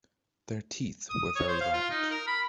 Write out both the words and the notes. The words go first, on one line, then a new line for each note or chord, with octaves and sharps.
Their teeth were very large.
D#6
D#6
C#5
C5
F5
F4
D#4
A#4
B5